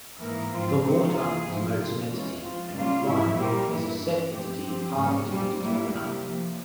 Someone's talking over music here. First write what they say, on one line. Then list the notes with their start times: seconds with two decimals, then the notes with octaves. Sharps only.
"The water" denotes an entity, and "one" is a set entity partitive determiner.
0.19 G#2 E3 A#3 E4 A#4
0.51 G#2 F3 C4 F4
0.83 C3 F3 G#3 C4
1.14 E3 A#3 F4 G#4
1.46 G#2 F3 C4 E4
1.78 C3 F3 C4 F4
2.10 E3 G#3 C#4
2.41 F3 C4 F4
2.73 C#3 G3 A#3 C#4 F4
3.05 G#2 F3 G#3 E4
3.37 A#2 G3 C4 G4 A#4
3.68 G2 E3 A#3 E4
4.00 E3 G#3 C#4
4.31 G2 F3 C4 G4
4.63 F3 C4 G4
4.95 G#2 G3 A#3 C#4
5.27 A#2 G3 C4
5.59 G#2 G3 A#3 E4
5.91 C3 G3 A#3 E4 G4
6.22 F3 A#3 E4